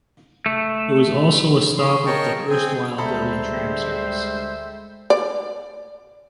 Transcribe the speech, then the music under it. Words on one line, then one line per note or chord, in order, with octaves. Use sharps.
It was also a stop of the erstwhile Delhi Tram Service.
F1 A3
C#4 C6
A#4 C#5 D#5 G5 A5 C#6
C4 G#4
D2 G3 G#3 A4 C5 E5 A#5 B5
D5